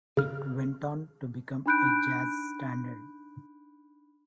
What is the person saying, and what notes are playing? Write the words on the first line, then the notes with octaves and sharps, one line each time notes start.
It went on to become a jazz standard.
C#3 F6
D4 D#4 B5 F#6 G6 D7